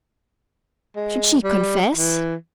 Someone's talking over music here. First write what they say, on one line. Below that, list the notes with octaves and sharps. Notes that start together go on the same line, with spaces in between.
Should she confess?
G#3
G3
E3